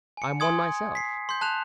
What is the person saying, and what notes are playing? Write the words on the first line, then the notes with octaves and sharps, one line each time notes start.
"I'm one myself."
G#5 C#7
G#5 C6 D#6 G#6
B6 C7
C6 G6
A5 F#6 E7 F7